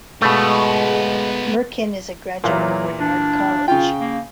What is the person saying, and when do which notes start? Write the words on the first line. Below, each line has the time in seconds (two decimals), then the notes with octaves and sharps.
Merkin is a graduate of Barnard College.
0.22 B2 G#3 A3 B3 F4
2.44 E2 A#2 F#3
2.99 D4
3.68 C#3 F4 G5
4.01 A#3